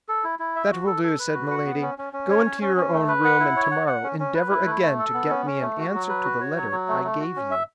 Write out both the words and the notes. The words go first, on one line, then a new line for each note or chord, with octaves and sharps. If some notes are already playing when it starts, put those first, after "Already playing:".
"That will do," said Milady; "go into your own room, and tomorrow endeavor again to get me an answer to the letter I gave you."
A4
E4
E4
E5
F#4
A4
A4
B4
F#4
F#5
B3
C#4
C#4
C#4
C#5
C#4
C#4
C#4
A3
B4
F#5
E4
C#5
F#5
F#5
C#4
C#4
B4
E4
A3
A3
A4
B3
C#4
C#4
A3
F#4
F#3
B4
F#4
C#5
F#3
F#3
A3
A3
F#4
C#4
E5